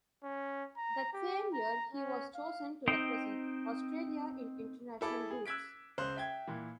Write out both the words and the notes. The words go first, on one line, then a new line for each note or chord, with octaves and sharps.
That same year he was chosen to represent Australia in International Rules.
C#4
A#5
G4
A#5
C#4
F5
C4 D#4 C5 D#5 G5
E4 G#4 A4 B5 D6
G#4
E6 F#6 G#6 B6 D7
C#2 C5 C6 F#6
E5 G5 G#6
A#2 E3